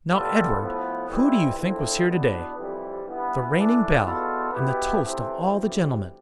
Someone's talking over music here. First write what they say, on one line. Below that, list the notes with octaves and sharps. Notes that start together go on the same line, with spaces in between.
"Now, Edward, who do you think was here to-day--the reigning belle, and the toast of all the gentlemen?"
A2 G3 B3 F4 A4
A2 F3 B3
F2 E3 G3 C4 E4
E2 D3 F3 C4 E4
E2 B2 B3 D4
F2 C3 E3 G3
G2 E3 B3
E3 A3 D4
E2 B2 B3 F4 A4
B2 B3 E4 G4
C3 E3 A3 C4
D2 C3 E3 G3